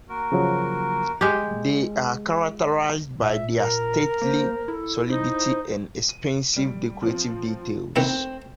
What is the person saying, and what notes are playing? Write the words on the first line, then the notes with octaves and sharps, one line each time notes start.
They are characterized by their stately solidity and expensive decorative details.
A#3 F#4 A#4
C#3 F3 F#3
G#3 G4
A#2 E5
A#4
A#3 C5
E4 A4
D#4 C5
D#7
G3 D7
F3 C4
D#3 A3 B3 C4 E4